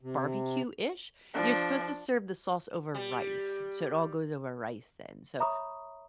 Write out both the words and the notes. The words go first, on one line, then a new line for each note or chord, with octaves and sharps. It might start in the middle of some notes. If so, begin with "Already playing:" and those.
barbecue-ish? You're supposed to serve the sauce over rice, so it all goes over rice then. So
C3
F3 D4
G3
C#5 E5 A#5 B5 C#6 D#6